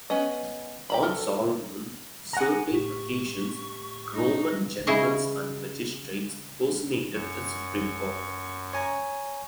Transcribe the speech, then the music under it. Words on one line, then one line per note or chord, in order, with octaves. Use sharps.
On solemn certain occasions Roman generals and magistrates personated the supreme god.
B3 C#4 D#5
G4 A#5 B5
A4 A#4
F#5 G#5 A#5
A2 G4 C#6 B6
D#4
C#3 E4 G#4 D#5
F#2 C#6
C#5 G#5 A#5